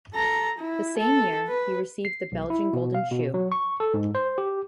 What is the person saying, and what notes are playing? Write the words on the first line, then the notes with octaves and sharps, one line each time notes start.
The same year, he received the Belgian Golden Shoe.
A4 A#5
E4
A4
B4
C7
B1
E4
B2
F5
B2
F#3
C#6
A4
G#2
C5
G4